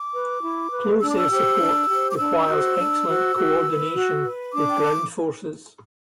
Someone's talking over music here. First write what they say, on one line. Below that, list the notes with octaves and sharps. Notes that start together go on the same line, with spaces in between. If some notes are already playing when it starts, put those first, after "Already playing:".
Close air support requires excellent coordination with ground forces.
Already playing: D6
B4
E4
B4
D4 E6
D6
E6
G4 C5
D4
G4 C5
D6
D4 E6
F#4 C5
D4
F#4 C5
F#4
B4
F#4
B4
D4 D6
G5
A5